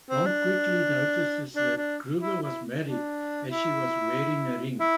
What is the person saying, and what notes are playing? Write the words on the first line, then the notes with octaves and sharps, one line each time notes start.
Monk quickly notices that Gruber was married, as she was wearing a ring.
C4
D4
D4
D4
E4
E4
D4
E4
E4